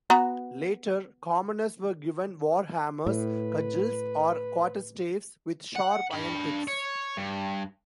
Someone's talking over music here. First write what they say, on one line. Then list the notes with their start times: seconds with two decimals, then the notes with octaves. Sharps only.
Later, commoners were given war hammers, cudgels, or quarterstaves with sharp iron tips.
0.10 B3 F#4 A#5
3.06 A2 B4
5.76 F#5
6.11 D4 B5
6.68 C#5
7.17 G2